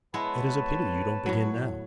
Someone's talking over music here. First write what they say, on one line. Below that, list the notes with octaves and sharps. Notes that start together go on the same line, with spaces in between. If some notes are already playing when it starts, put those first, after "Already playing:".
'It is a pity you don't begin now.
G#3 B3 E4 B4 C#5 A5
A2 F#3